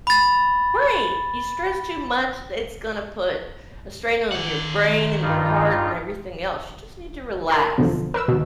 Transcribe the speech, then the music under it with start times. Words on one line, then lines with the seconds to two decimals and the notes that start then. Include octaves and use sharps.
right! You stress too much, it's gonna put a strain on your brain, and your heart, and everything else, you just need to relax.
0.07 B5 A6
4.32 D#3 F#5
5.22 G2 D#4 F4
7.50 A#4 C6
7.78 E2 B2 D3 F3
8.14 A#4 B4 E6
8.28 D#2 B2